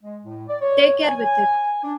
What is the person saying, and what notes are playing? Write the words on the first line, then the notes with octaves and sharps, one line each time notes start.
Take care with it.
G#3
A2
D5
C#5
G#5
G#5
D4